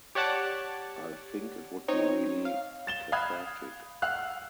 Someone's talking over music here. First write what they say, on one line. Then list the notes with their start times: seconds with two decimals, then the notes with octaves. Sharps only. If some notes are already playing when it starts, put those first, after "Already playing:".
I think it would be really cathartic.
0.15 G4 C#5 D5 F#5 A5 D6
1.88 C4 D#4 C#5
2.45 F5
2.87 A6 E7 G7
3.12 F5 B5 D#6 F#6 G#6
4.02 F5 F#5 E6 F#6